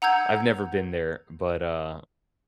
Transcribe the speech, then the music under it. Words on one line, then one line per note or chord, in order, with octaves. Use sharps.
I've never been there, but, uh,
F#5 A#5 E6 G6 G#6